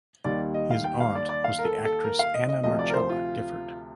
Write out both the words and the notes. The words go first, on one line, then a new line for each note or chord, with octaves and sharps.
His aunt was the actress Anna Marcella Giffard.
D#2 D#3 G3 D5
D#5
F5
G5
F5
D5
D5
F5
A#4
A4
A4
A#4
F5
D#5
D#5
D2 C3 F3 D#5
D5
A#4
C5
F4